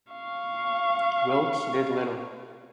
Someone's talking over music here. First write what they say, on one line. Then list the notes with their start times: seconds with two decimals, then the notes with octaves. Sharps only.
Wilkes did little.
0.13 F5 C#6